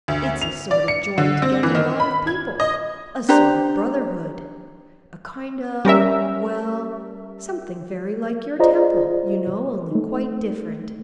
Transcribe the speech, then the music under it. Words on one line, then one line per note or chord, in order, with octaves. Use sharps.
'It's a sort of joined-together lot of people--a sort of brotherhood--a kind of--well, something very like your temple, you know, only quite different.'
D2
F7
D5
C#7
D3
C4
E3
D#3
B5
G#6
D#5
D4 G4 C5 A#5
G3 C#4 A#4 E5
F4 G#4 C5 D5 D#5 A#5
A3 D#4